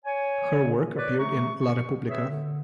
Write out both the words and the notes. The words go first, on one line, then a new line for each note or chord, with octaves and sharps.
Her work appeared in "la Repubblica".
C#5 G#5
B4 C#5 D5
C3 A3 A#5 C#6
C#6
C4 G#4 B4 C#5 E5
D3